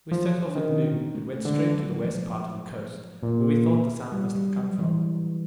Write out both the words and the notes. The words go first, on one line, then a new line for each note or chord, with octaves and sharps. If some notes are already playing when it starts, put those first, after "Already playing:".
We set off at noon, and went straight to the west part of the coast, where we thought the sound must have come from.
F3
D4
D#3 C#4
A3
A3
D3 G#3
F#3
F3
A#2
G3
G3
F#3
E3